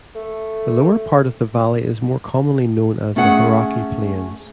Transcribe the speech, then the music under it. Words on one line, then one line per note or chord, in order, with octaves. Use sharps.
The lower part of the valley is more commonly known as the Hauraki Plains.
A3
A3 C#4 G#4 F#5